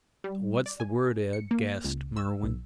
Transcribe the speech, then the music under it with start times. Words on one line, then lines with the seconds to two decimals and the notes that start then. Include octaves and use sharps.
"What's the word, Ed?" gasped Merwin.
0.24 G3
0.66 D5
0.80 G#5
1.33 C#7
1.51 A#3
1.84 C#2
2.17 E6
2.43 B1